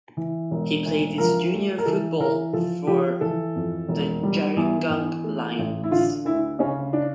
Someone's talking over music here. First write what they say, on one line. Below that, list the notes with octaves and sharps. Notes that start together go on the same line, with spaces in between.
He played his junior football for the Gerringong Lions.
E3
E1
D2
F3 A#4
A3
A#4
E3 A4
E3 A#4
F3 A4
F3 G4
E3 A4
F2
E1
G3
E2
E2
A3
A1
E4
D3 F4
D2 E4
C#3 C#4
D4